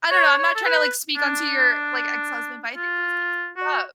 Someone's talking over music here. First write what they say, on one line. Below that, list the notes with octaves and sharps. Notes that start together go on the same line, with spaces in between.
I don't know, I'm not tryna, like, speak on to your, like, ex-husband, but I think those things build up.
C#5
C#5
A4
B4
D4
F4
F#4